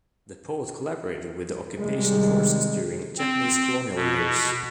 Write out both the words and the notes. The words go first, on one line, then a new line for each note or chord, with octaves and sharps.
The poet collaborated with the occupation forces during Japanese colonial years.
C3 D#3 G3 G#3
C4
B2